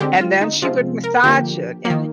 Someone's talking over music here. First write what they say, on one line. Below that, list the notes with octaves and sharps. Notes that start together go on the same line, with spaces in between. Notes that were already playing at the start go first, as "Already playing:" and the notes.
and then she would massage it, and,
D3 G#3 C4 G4
F4
D#4
C3 F3 G#3 C4 F4
A#4
D3 F3 A#3 G4
A#3
D#3